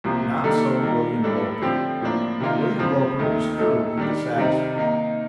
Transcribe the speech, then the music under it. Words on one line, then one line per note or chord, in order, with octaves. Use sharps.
Not so William Roper; William Roper was thoroughly dissatisfied.
C2 C3 F3 A#3
D#3 G3 A#3 D4 A4
D#3 G3 A#3
A2 G3 D4 A4
D3 F3 C4 G4
A2 F3 A#3 D4
C3 D#3 A#3 F4
G2 F3 C4
D#2 D#3 A3
A#2 A3 D#4 A4
D#3 G3 D4
C3 D#3 G3 C4 D#4
D#3 A#3 D#4